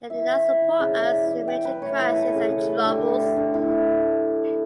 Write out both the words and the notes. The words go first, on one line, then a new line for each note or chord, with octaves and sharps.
They did not support us in major crises and troubles.
E3 E5
E3
E4
E3
C#3 D5
E4
D5
E3
E5
E3
E4 G5
E4 B4
A3 C#5
E3 B4
E3 A4
C#3
C#3
A3
D3 G4
A3
D3
D3
A3 E4
D3